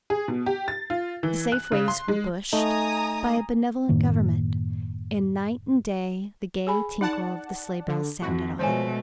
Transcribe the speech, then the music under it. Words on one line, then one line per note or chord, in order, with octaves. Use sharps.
The safe ways were "bushed" by a benevolent Government, and night and day the gay tinkle of the sleigh-bells sounded on it.
G#4
B2
G4
A6
F4
E3
F#6
C#3
C6
G#3
A3 D#4 G#5 A#5 D#6
F#2 A2 D#3 A#3
G#4 G#5 B5
D#4 D5 F#5 A5
D3
F2 F#4
B2 F3 G#3 A3 C5 C#5 G#5